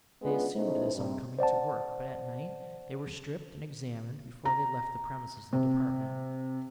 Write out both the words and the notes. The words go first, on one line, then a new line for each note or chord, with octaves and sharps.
They assumed this on coming to work, but at night they were stripped and examined before they left the premises of the Department.
G#3 B3 C#4 D4 F4 G#4
B2 A3 C#4 D#4 E4 C5
G2 C3
C5 D5 F#5 A5
A#5
C3